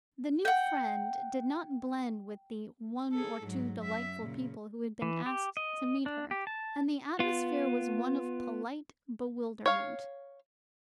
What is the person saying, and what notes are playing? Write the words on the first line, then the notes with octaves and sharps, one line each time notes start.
The new friend did not blend with the "one or two delightful people" who had been asked to meet her, and the atmosphere was one of polite bewilderment.
F#5 G5
G#4 A4
G#2 F#3
F#2 E5
A#2 C#3
E3
G4
D#5
D4
G4
A5
B3 F4
C#5 F5